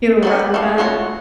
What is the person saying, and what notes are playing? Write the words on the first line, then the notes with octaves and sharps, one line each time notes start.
get around that.
F#3 A3 B3
A3 C#5 F5
A3 F4 F#4 C#5